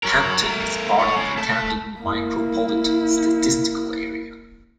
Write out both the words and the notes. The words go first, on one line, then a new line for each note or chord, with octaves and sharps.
Hampton is part of the Camden Micropolitan Statistical Area.
F#3 A#4
A3 A#4
A4 C#5
G#3 C#4
A3 A5
A#3 E4